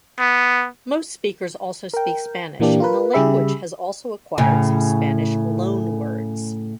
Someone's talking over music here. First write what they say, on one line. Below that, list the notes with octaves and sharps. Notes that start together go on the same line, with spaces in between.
Most speakers also speak Spanish, and the language has also acquired some Spanish loanwords.
B3
A#4 G5
A#2 E3 A#3 D4 G4
F4 A#4 B4
C#3 G3 G4 G#4 E5 B5
A2 C#3